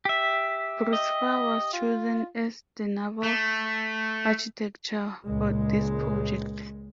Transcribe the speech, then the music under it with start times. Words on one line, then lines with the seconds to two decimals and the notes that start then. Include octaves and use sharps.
Bruce Farr was chosen as the naval architecture for this project.
0.05 G4 E5
0.93 D#5
1.73 F4
3.23 A3
5.25 C#2 A#2 G#3